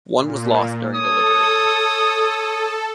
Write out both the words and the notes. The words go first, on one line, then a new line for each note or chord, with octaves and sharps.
One was lost during delivery.
A#2
A4 C#5 D#6